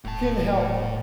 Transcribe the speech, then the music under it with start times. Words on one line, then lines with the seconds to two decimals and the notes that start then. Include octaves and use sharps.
can help.
0.04 D#1 A2 A5